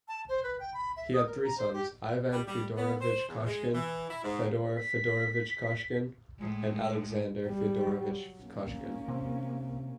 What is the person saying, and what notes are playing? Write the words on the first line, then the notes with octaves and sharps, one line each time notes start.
He had three sons: Ivan Fyodorovich Koshkin, Fedor Fedorovich Koshkin, and Alexander Fyodorovich Koshkin.
A5
C5
B4
G5
B5
E5
D#6
A#4
A#5
C5
G4
G3
G3
B3
C5
E2
G#3
E3
E4
G#2
B6
A2 G#3
G3
F#3
A#3 C#4
C3